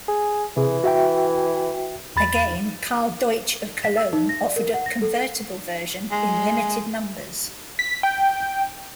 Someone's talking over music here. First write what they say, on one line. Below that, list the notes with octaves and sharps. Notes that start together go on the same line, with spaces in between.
Again, Karl Deutsch of Cologne offered a convertible version in limited numbers.
G#4
C3 E3 G#4
F#4 E5 G5
E2 B5 A6
B6
E6
D#4
A#6
D5
A#4
F#5
A#6
A4
G#3
B6
G5